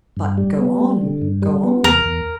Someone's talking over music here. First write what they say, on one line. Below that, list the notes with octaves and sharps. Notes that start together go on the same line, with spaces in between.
But go on, go on.
G2
G3
B3
G3
D3
G2
G3
B3
E2 A#4
E2